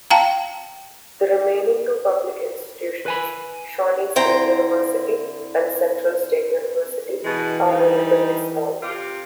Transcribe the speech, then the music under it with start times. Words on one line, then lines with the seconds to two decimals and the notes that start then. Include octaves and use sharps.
The remaining two public institutions-Shawnee State University and Central State University-are relatively small.
0.10 F5 G5 A5 A#5
3.06 B4 G#5 B5
4.16 D3 C4 E4 C5 G5 A#5
7.25 B2 E3 G#3 D#5
7.68 G3 D#4
8.82 C3 F4 G4